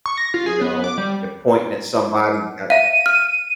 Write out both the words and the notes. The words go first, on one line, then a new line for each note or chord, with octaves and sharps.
you know, "You're pointing at somebody, you got"
C#6
A#6
F4
G#4
B3
D6
G3
E5 F5 D#7
F6